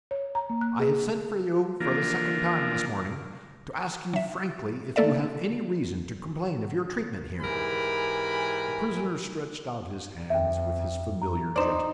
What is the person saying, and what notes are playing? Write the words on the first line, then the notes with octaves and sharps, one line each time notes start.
"I have sent for you, for the second time this morning, to ask you frankly if you have any reason to complain of your treatment here?" The prisoner stretched out his hands with his familiar gesture.
C#5
A#5
A#3
F#6
G#4
E3 F3 A#3 D4 F4 A#4
F#3 E5
A3 A#3 A4 D5 E5
G#2 E3 G4 A#4 G#5 B5
F2 E5 G5
A#5
D#4 C5 D5